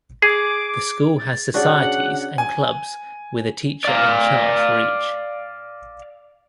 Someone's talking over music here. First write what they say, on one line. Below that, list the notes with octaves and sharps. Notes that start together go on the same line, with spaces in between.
The school has societies and clubs with a teacher in-charge for each.
G#4 D6
A6
C#3 D4 F#4 F#5
G#5
D5 F5